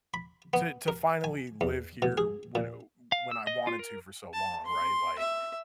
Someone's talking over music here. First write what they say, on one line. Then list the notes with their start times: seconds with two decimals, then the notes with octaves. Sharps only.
to to finally live here when, uh, uh, when I wanted to for so long, right? Like
0.14 B5
0.54 B3
0.88 A#4
1.24 G#5
1.61 E2
2.02 B2
2.18 G#4
2.55 A#2
3.12 F5
3.31 E6
3.47 D#5
3.67 F4
3.79 A#4
4.33 A5
4.66 C6
5.19 E5